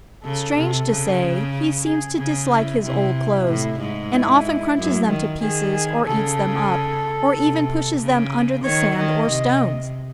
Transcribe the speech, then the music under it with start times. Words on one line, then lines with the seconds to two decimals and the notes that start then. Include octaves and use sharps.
Strange to say, he seems to dislike his old clothes, and often crunches them to pieces or eats them up, or even pushes them under the sand or stones!
0.24 C#3 A4
0.56 C3
0.89 C#3
1.86 G#4
2.18 C#3 G#4
2.51 E4
2.83 C3 E4
3.48 A2
3.79 G#2
4.12 E4
4.77 F#2
5.09 D#3
5.41 D#3 G#4
5.74 G#4
6.06 C#3 A4
7.35 C3
8.00 C#3
8.65 D#3 C#5
8.97 D#3 D#5
9.29 C3